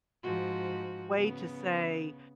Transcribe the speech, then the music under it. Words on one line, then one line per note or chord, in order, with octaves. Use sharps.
way to say
G#2 F3 F#4
C#3 B3